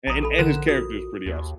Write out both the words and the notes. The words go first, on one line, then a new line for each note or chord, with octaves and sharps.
a and and his character is pretty awesome.
A#1 A#5 D#6
A4 B5
D3 A#4 F#6 E7
F4 F#4 D#6
D#2